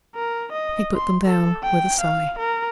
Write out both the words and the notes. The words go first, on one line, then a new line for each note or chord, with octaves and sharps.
He put them down with a sigh.
A#4
D#5
C6
A4
G5
F5
A#4